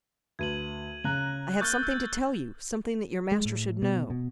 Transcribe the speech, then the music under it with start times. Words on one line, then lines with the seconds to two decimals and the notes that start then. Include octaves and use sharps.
"I have something to tell you--something that your master should know."
0.39 D2 B4 G#6 D#7 F#7
1.04 C#3 A#5 F#6 F#7
1.61 A#3 C#6 F6 G6 A6 G7
1.83 E6 G#6
3.32 G#3
3.45 A2
3.82 B2
4.10 B2